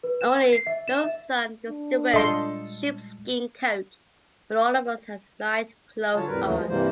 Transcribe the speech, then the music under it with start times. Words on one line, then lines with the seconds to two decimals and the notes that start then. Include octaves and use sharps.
Only Luvsan used to wear sheepskin coat, when all of us had light clothes on.
0.03 B4
0.21 E7
0.53 C7
0.67 E5
0.88 E7
1.04 E5
1.68 D4
2.13 A#2 G3 G#3 F4 A4 D#5 C6
6.15 D3 F#3 F4 C#5 A5
6.27 F2 A2 G3 A#4 B4
6.43 D#2 C#3 E3 F#3 A3
6.56 F3 G#3
6.68 G2 C3 E3 G3 A#3 C5